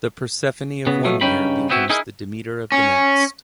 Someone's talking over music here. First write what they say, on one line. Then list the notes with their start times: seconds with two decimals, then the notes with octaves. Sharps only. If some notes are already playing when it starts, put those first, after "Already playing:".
The Persephone of one year becomes the Demeter of the next.
0.87 C#3 B3
1.04 B2 F3 F#3 A3
1.21 G2 C#3 C#4 D#4 G5 B5
1.70 B3 C4 E4 F#4
1.90 D#4 E4 G#4 A#4
2.72 C#4